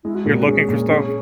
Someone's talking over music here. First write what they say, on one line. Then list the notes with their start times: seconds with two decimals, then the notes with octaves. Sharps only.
You're looking for stuff?
0.04 G#3 E4
0.15 F#4
0.26 A#2 G#4
0.37 F#4
0.47 C#4 G#4
0.69 A#2
0.90 C#4